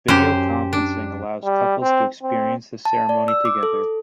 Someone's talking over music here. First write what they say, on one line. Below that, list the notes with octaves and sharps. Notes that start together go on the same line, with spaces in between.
Video conferencing allows couples to experience the ceremony together.
F#2 G4 C5 G5
D4
G3
C4
C4
A5
D5
E6
D6
A4